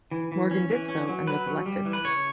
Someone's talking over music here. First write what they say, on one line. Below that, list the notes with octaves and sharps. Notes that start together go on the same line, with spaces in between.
Morgan did so and was elected.
E3
E3
C#4
E3
C#4
F#3
F#3 B4
F#3
G3
E3
B4
C#3 C#5